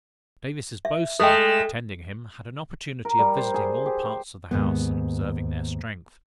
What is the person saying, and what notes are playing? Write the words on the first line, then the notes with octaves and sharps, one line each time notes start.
Davis's boatswain attending him, had an opportunity of visiting all parts of the house, and observing their strength.
E5
G#3 A3 A4 G5
A#4
G3
C5
G#4
G4
C5
D#2 G#2 B3